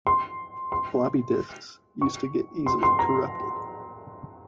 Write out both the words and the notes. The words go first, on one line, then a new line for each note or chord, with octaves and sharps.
Floppy disks used to get easily corrupted.
C6
C6
C#6
C6
C6
A#5